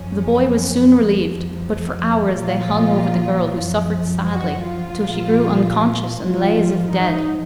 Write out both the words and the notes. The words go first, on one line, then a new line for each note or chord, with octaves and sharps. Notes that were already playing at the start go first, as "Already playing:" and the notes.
The boy was soon relieved, but for hours they hung over the girl, who suffered sadly, till she grew unconscious and lay as if dead.
Already playing: F#2 F3 C#4
F2 F3
A#2 F3 F4
F#2 F3
F#4
F4
A#2 F3
G#2 F3 F4
D#4